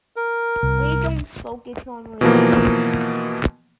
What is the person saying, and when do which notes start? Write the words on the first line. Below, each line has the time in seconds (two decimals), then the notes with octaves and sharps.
We don't focus on religion.
0.16 A#4
0.63 C2
2.21 B2 E3 F3 A#3